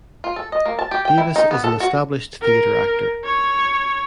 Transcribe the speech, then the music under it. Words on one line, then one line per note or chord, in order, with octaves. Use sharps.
Davis is an established theatre actor.
F4
A4
D#5
A#3
A5
G4
G5
E4
D#4
B3
A4
F#4
A#4
C#5